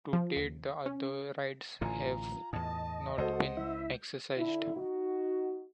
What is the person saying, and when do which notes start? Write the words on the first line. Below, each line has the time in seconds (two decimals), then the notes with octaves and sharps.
To date the other rights have not been exercised.
0.13 F3
0.36 D#2
0.86 C#4
1.81 A1 A2 D3 F4 G#5 A#5
2.53 E2 A2 D#5 A5
3.18 C#2 F#4 A4 C5 D#5 F#5
3.57 E4 E5
4.37 D3 E4
4.76 D#4 F#4